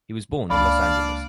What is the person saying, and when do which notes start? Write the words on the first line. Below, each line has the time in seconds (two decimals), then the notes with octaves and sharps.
He was born in Los Angeles.
0.50 C#2 A#3 D4 D5 F5 B5